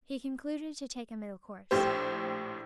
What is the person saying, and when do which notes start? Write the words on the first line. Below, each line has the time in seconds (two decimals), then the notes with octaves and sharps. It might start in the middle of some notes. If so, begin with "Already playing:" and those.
He concluded to take a middle course.
1.71 A#1 A2 G4 C5